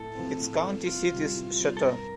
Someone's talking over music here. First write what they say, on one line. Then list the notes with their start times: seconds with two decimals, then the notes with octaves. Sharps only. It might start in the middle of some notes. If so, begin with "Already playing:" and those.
Its county seat is Choteau.
Already playing: A2 A4
0.15 F3 C4
0.40 A2
0.63 F3 C4
0.86 C2 F4
1.11 C3 D#3 G3 C4
1.35 C2
1.58 C3 D#3 G3 C4
1.77 A4
1.82 G2 A#4